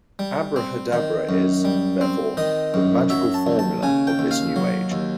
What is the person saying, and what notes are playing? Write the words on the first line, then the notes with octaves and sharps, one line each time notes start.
Abrahadabra is, therefore, the "magical formula" of this new age.
G3
C4
D#3
F#2
G3
C4
D#3 D#5
F#2
F#3 E5
A5
D#2
A5
C#3 G#5
G5
D#2
F5
F#3
D#2